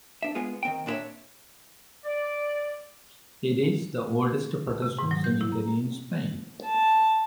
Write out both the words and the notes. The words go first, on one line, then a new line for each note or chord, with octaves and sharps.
It is the oldest Protestant cemetery in Spain.
D4 E5
G#3 B3 F4 G#4
D#3 C4 G5
A#2 D4 E4 B4 C#5 E5
D5
C3
G#2
F#3
G6
E4
A#5
A5